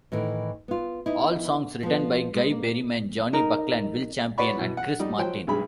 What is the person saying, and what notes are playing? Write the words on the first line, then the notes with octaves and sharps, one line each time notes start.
All songs written by Guy Berryman, Jonny Buckland, Will Champion and Chris Martin.
A2 D#3 E3
B3 F4
B3 D#4 E4
F3 B3
G#3
A#3
D#4 A#4
B4 C#5 D5 F#5 B5 C#6
B2 E3
F#5
G3 D#4
F3 F#3 C5 G5
B1 G2 G#3 G#4 B5